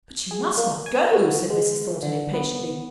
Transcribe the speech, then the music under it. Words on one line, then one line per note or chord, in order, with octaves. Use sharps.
'But you must not go,' said Mrs. Thornton, impatiently.
G#4
A#3
G#5
F#4
G#3
D3
B3